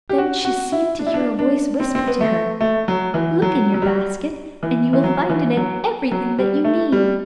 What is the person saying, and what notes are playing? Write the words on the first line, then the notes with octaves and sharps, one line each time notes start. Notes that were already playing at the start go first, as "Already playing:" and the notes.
Then she seemed to hear a voice whisper to her, 'Look in your basket, and you will find in it everything that you need.'
G4
F#4
F#4
E4
D4
E4
D4
D4
C4
C4
B3
A3
A3
F#3
E3
F#3
F#3
G3
E3
E3
F#3
E3
F#3
F#3
G3
A3
G3